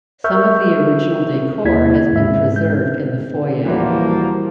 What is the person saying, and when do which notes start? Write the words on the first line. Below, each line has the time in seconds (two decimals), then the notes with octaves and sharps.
Some of the original decor has been preserved in the foyer.
0.24 A#4 E5 C#6 E6 F6 G6
1.64 D#2 A#3 E4 G#6 B6
2.13 G#2 G#3 E5
2.56 G6
3.65 D#1 E3 F3 G3 A#3 E4 F#4